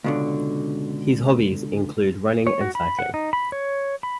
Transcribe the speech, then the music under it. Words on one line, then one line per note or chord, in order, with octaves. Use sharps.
His hobbies include running and cycling.
C#2 B2 D3
C#5
F#4
B5
F#5
D#4
B5
C#5
B5